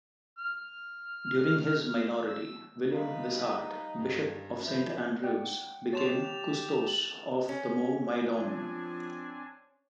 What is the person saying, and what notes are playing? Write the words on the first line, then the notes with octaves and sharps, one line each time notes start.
During his minority, William Wishart, Bishop of Saint Andrews, became "custos" of the Mormaerdom.
F6
E6
G3 D#4 B4 D#5 F5 A#5
G2
F3 B4 C5 E5 B5 G6
D5 F#5 G5
G4 C#5 A5 C6 A6 E7 F7
C#4
F3 C4 D4 G#5